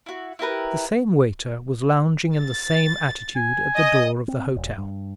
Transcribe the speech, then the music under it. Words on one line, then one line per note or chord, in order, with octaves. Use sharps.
The same waiter was lounging in the same attitude at the door of the hotel.
E4 F#4
E4 G4 A#4 B4
A6
G#5
D#5 D#6
C4
E1
G2